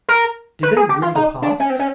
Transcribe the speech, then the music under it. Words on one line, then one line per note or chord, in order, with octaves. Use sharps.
Did they rue the past?
A#4
B4
G#4
G4
F4
D#4
D4
C#4
C4
C#4